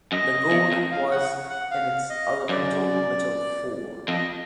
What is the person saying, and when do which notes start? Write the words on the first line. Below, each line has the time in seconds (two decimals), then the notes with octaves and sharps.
The gold was in its elemental metal form.
0.12 F#2 D#5
0.51 E2
0.72 F2
0.91 F5
1.11 F#5
1.50 F#5
1.71 F5
2.10 D#5
2.49 F#2 D5
4.08 F2 D#5